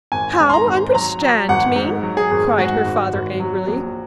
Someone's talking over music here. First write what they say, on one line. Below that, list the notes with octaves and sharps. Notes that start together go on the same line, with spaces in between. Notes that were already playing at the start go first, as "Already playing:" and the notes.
"How understand me!" cried her father angrily.
G#1 G#5
G#2
C6
A#5
G#1
F#3 A#5
F#3
G#1 F#5
G#2
F#3
G#4
G#1
G#2 F#4
G#1
G#1
F#3
A#1